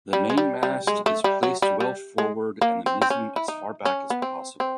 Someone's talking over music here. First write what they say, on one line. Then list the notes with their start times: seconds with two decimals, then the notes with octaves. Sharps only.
The mainmast is placed well forward and the mizzen as far back as possible.
0.13 G3
0.30 G#3
0.38 G3
0.63 G3
0.87 G#3
1.06 A3
1.24 G3
1.43 F#3
1.62 G3
1.80 G3
2.18 G#3
2.61 A#3
2.86 C4
3.02 C4
3.10 C#4
3.36 E4
3.48 D#4
3.85 C#4
4.10 B3
4.22 C4
4.60 C4